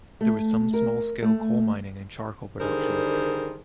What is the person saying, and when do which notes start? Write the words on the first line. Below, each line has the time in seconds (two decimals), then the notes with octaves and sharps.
There was some small scale coal mining and charcoal production.
0.21 A3
0.74 A#4
1.22 A3
2.60 D3 D#3 G3 G#4 A#4 C5